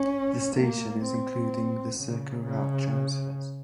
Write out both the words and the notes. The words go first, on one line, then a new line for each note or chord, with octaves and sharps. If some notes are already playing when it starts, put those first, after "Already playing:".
This station is including the CircleRoute transfers.
Already playing: C#4
A#3
C4
C#3
C#3